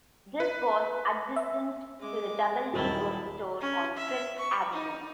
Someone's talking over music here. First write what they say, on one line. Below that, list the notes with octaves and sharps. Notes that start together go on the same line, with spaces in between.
This was adjacent to the Doubleday Book Store on Fifth Avenue.
B4
E5
G#3 D6
D#1 D#3 F#3 E4 A5
C#4
E5
C#6
D#4